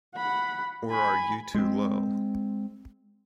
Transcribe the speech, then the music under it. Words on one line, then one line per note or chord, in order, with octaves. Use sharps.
Or are you too low?
F#5 B5
G#5 B5
G#3 C4